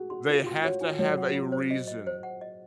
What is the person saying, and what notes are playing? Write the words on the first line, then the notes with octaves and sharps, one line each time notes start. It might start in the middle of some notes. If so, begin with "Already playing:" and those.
They have to have a reason
Already playing: F#4 G#4
F#4 C6
F4 A#4
F4
F#4 C6
F4
F#4 C#5
F4 G#5
F#3 C#5
F#5
F4
C5
D#5
D#5
C5
F#5
D#5